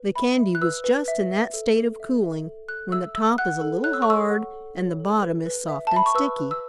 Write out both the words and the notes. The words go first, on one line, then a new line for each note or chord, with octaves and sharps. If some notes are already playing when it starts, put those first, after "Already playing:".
The candy was just in that state of cooling when the top is a little hard and the bottom is soft and sticky.
Already playing: B4
E5 B5
E5
F#6
B4 E6
B4
E5
E5
A4
A4
E5
E5
A4
A4 F#6
E5 E6
E5 E6
F#5 F#6
A4
C#5 F#6
E6
C#6
A4 E6
F#5
A4
C#5
A4
B4
B4
E5
A5
E5 B5
C#6
B4 E6
B4
E6